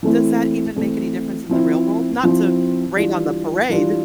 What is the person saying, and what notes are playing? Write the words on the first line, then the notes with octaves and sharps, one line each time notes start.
does that even make any difference in the real world? Not to rain on the parade.
E3 A3 C4 E4
E3 A3 C4 E4
F3 C4 E4
F3 C4 E4
E3 G3 D4 F4
E3 G3 D4 F4